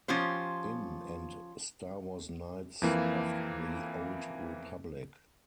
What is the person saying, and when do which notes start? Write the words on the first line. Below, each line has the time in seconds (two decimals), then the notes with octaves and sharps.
In and Star Wars Knights of the Old Republic.
0.08 F3 C#4 F4 G4 C5
2.82 F2 E3 A#3